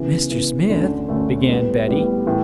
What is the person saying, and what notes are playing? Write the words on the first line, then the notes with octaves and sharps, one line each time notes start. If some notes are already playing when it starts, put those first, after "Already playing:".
"Mr. Smith," began Betty.
Already playing: C#3 E3 B3
C#3 E3 B3
D2 D3 A3 C#4
D2 D3 A3 C#4
A2 G3 B3
A2 G3 B3
A2 E3